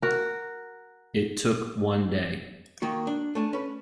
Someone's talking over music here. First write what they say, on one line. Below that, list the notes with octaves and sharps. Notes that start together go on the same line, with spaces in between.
It took one day.
F#4 A#4
D#3 A#3 F#4
D4
A3 D4 G#5
C#4 B4